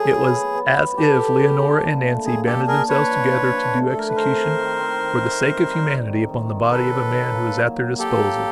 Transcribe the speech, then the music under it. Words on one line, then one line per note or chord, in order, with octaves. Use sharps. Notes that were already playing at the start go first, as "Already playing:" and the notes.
It was as if Leonora and Nancy banded themselves together to do execution, for the sake of humanity, upon the body of a man who was at their disposal.
Already playing: F#3 E4 G#4 A4
B3
B3
B3
B3
G4 A4
A4
B3
D4
A#2
A3
A#2 G#4
D4 G4 A4
D4 G#4 A#4
D4 B4 C#5
F3
F3
D4
A3
A4
A3 A#4
B4
D#3 A#4 C5
C4
D#3
C4
D#3
D#3
C4
G3
D#3
D#3
D#3
D#3
D#4 A4 B4
F#3
D#4
A#3
F#3
F#3
A#3 G4 A4
A#3